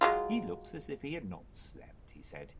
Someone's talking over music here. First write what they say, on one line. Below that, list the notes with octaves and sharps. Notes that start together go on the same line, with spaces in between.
"He looks as if he had not slept," he said.
F#3 G#3 F4